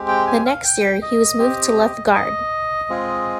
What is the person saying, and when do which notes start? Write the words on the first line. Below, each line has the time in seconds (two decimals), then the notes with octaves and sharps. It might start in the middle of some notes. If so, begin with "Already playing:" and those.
The next year, he was moved to left guard.
Already playing: G#3 C4 G4
0.08 G5
0.27 G#5
0.45 F5
0.64 G5
1.02 D#5
1.39 C4 G4
2.15 D#5
2.89 G#3 C4 F4 G#4